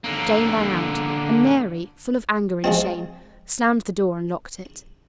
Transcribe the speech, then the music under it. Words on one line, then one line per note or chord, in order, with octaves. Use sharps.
Jane ran out, and Mary, full of anger and shame, slammed the door and locked it.
D3 A#3
F3 G#3 C4